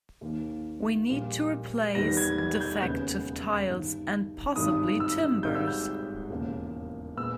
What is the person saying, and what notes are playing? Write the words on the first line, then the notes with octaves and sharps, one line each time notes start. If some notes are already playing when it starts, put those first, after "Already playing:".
We need to replace defective tiles, and possibly timbers.
D#2 D#3 A#3
A#1 A#2 G3 A#3
E2 D#3 G3 B3 A#6
G#6
G#6
G#6
G6
E1 D#2 C#3 G#3 B3 G6
G1 G2 D#3
G#1 G2 D#3 D#6
E6
G#1 G#2 G3 G6
E6
G6
E1 D#2 C#3 E3 A#3
A#2 G#3 B3 E6